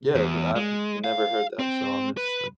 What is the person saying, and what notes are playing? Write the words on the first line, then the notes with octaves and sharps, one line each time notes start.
Yeah, but I've n never heard that, so I'm interested.
E2
G#3
F5
C4
B4